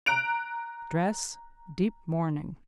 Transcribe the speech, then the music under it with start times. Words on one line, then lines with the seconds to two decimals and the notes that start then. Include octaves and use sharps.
Dress--deep mourning.
0.06 A#5 F#6 D7 F7